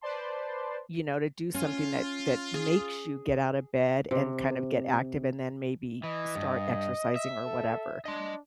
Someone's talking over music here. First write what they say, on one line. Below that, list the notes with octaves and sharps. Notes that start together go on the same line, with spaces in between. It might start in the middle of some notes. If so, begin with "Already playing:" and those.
you know, to do something that that makes you get out of bed and kind of get active, and then maybe start exercising or whatever.
B4 C5 D5 A5 C6
C#4 F4
G#4
C3
E3 D#5
G2
E5
A4
D4 D#5 C6